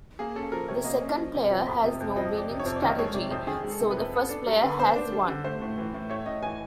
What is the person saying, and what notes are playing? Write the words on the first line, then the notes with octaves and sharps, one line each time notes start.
The second player has no winning strategy so the first player has one.
A#3 G#4
C#4 A4
F3 A#4
C3 C#5
A#3 D#5
C#4
F3
C3
F3
F2
C3
F2
F3 D#5
F2
D5
C3
C#5
F2
D5
D#3 D#5
G#3 C#5
C3 D5
F2 C5
D#3 G#4
G#3
A4
C3
B4
F2
B3 A4
D4 A4
G3 A#4
D3 B4
B3 C5
D4
G3
D3
A3 C5
A2
E3
A2
A3 C#5
A2 D#5
E3 G#5